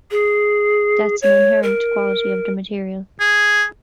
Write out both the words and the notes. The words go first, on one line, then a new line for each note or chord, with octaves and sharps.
That's an inherent quality of the material.
G#4
C#5
A#4
G#4